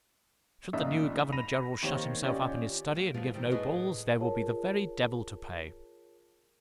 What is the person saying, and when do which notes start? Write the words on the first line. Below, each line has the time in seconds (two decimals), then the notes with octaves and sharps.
Should the new Governor-General shut himself up in his study, and give no balls, there will be the very devil to pay!
0.73 F1 A#2 C#3 D#4 D5 E5
1.32 B5 A#6 D#7 F7
1.83 D#3 A#3 C4 G4 C#5
2.23 C#4 F4 G4 D5 D#5
2.93 G3 A#3
3.14 F3 G#3 B3 F4
3.34 B2 D#3 G3 C4
3.51 A2 G#4 B4 C#5 D#5 G#5
4.21 F4 G#4 A#4 C#5 A5